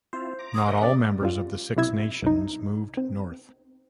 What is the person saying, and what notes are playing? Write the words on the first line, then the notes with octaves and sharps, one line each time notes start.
Not all members of the Six Nations moved north.
C4 E4 F4 C5
A#5 D6
D#6
A#4 D#5 E5 F#5
C#3 D5
F#2 G3 F4
B1 C3 E4 E6 G#6
C2 D#4
C4